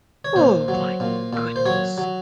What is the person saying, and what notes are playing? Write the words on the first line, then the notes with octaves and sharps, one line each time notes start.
Oh, my goodness.
C#5
A#2 C5
F#3
A#2
A#2
C5
F#3 C#5
F#3